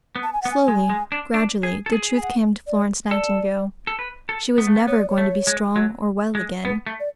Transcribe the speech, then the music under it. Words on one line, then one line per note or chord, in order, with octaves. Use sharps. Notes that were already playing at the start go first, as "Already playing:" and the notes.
Slowly, gradually, the truth came to Florence Nightingale: she was never going to be strong or well again.
B3
A5
G#5
B3 F#5
G#5
G#3
G#3
D4
D4
G#4
A4
G#4
G#5
F#5
D5
A4 D5
A4
B4
A4
B3
A3
B3
B3 C#5
D5
C#5
A3
G#3
F#3
G#3
B3 B4
A3
D5